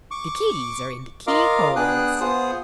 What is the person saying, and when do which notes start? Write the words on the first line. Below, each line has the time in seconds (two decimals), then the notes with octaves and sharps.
The keys are in the keyholes.
0.11 C#6 D6
1.27 F4 A#4 D#5 F5 D6
1.76 B3 D4 G#4 G5 D#6 F#6
2.21 B3 F4 G#4 C5 D#6